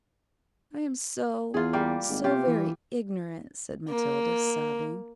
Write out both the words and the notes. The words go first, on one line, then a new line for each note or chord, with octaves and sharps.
"I am so--so very ignorant," said Matilda, sobbing.
E2 F4 G#4
G3 A#3 G4
G#1
C3 F4 G4
E3
A#3